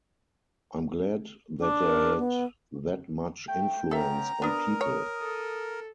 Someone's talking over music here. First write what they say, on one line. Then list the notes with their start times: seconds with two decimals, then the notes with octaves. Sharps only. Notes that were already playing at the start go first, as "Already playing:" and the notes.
I'm glad that I had that much influence on people.
1.61 D4
1.83 A#4
2.19 B3
3.48 A3 G5
3.91 B3 C#4 A4 E5 A#5
4.42 B3 D4 A#4 D#6
4.81 C#5
5.22 A4